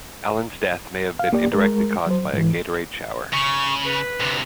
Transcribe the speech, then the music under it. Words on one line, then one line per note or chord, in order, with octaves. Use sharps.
Allen's death may have been indirectly caused by a Gatorade shower.
F5
A#3 G4 D5
G#3 A#4
F#3 C5
G#2 E3
C#3 C#6
B4
D2 C3